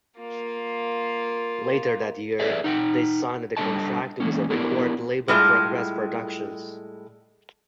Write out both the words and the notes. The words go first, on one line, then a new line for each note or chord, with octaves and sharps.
Later that year, they signed a contract with the record label Progress Productions.
A#3 F4
G#4 A4 B4 D5 E5
D#4 F#5 G5
G3 G#3 D4 A4 D#5 A5
E3 G#3 A#3 C#4
B3 D4 E4 G4 A#4
A2 G3 G#3 F4